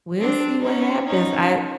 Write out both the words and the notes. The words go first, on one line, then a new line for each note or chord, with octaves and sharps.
we'll see what happens. I
C4 D4
C#4 D#4
C#4 D#4